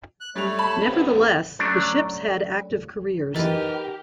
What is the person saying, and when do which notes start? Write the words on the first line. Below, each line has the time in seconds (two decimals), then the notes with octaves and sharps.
Nevertheless, the ships had active careers.
0.21 F#6
0.36 G3 A3 C#5 F7
0.59 A5 B5
0.82 C3 B3 C#4 B4
1.10 E2
1.59 F#3 A3 C#4 D4
3.35 E3 D#4 G4 G#4 A#4 B4 A6